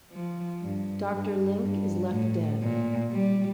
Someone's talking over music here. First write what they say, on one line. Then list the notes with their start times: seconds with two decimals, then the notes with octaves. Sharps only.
Doctor Link is left dead.
0.12 F3
0.62 G2
1.12 G2
1.61 G2
2.11 A2
2.62 A#2
3.11 G3